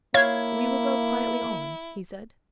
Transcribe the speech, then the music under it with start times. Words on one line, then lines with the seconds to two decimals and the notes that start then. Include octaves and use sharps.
"We will go quietly on," he said.
0.14 A#3 E4 C#5 F5 G#6